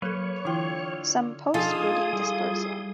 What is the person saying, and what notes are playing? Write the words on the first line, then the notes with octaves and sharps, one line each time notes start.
Some post-breeding dispersal.
F#3 A#3 A4 B4 C#5
D3 E3 E4 F4 G5 C6
F3 D4 D#4 F4 G#4 A4 G#5 D#6
G3 E4